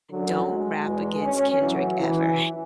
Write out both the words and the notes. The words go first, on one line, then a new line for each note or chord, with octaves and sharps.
Don't Rap Against Kendrick Ever.
F#2 D3 F#3
G#3
E2 B2
C#4
A2 E3 F#3
E3